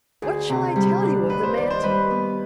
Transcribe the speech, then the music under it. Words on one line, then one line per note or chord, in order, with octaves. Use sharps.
What shall I tell you of the mantle?
D2 G#4
C3
G3
D4
D#2 B4
C5
D#3 D5
C5
G3 B4
B3